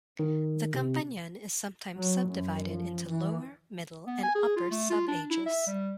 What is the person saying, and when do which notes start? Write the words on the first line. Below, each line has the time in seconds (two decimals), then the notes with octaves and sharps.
The Campanian is sometimes subdivided into Lower, Middle and Upper subages.
0.19 D#3
0.74 C3
1.97 F#3
2.28 F#2
2.65 F3
3.08 E3
4.07 B3
4.23 G#5
4.35 G#4
4.56 F4
4.71 A3
4.90 F4
5.08 D4
5.30 E4
5.46 E5
5.67 G3